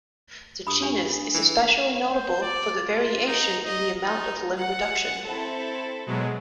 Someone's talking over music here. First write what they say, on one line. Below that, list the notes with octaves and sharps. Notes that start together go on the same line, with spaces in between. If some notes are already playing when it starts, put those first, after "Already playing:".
The genus is especially notable for the variation in the amount of limb reduction.
G2 B5 D#6
D4 G4 G#5
E3
C5
D5
F4
D#4
D#5
D#4
F#5
C4 E4 A4
B2 F#3 G#3